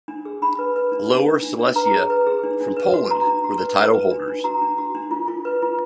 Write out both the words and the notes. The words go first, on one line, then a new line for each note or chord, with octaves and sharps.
Lower Silesia from Poland were the title holders.
D4
G#4
D4 B5
B4
B4
D4
D4
D4
D4
D4
B4 A#5
G#4
B4
G#4
D4
D4
B4
F#4
F#4 A#5
D4
F#4
B4
B4
B4
D4
D4
F#4 A#5
D4
F#4
D4
F4
F4
B4
F4